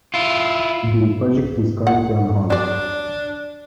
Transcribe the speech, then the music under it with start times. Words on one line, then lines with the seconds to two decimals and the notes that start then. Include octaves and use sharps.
The project is currently on hold.
0.14 E4 F4
1.87 F#5
2.50 F#3 D4 D5